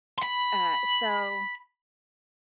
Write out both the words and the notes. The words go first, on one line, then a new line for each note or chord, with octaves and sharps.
Uh, so,
B5 C6